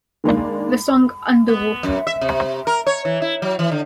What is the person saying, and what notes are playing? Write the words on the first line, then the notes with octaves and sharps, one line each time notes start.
The song Underwater!
D#3 G#3 A#3 D4
B3
F#2
E5
C3
A#4
C#5
E3
E4
F#3
E3
D3